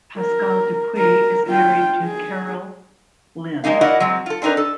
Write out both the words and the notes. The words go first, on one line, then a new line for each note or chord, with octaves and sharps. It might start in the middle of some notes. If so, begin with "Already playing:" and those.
Pascal Dupuis is married to Carole-Lyne.
A#4
A#4
F4 G5
G#4
G3 G#3 A#3 D#4 F5
E4 F#4 A#4 D5 D#5 F#5
F#3 G#3 C4
F4 A4
C4 D4 D#4 A#4 B4
A4